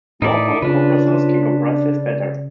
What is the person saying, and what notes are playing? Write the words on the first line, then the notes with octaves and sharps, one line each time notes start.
More common compressors can compress this better.
A2 D#4 E4 D5
C#3 D4 F4 B4
D5